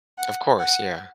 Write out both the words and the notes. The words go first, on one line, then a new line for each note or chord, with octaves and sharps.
Of course, yeah.
F#5
F#5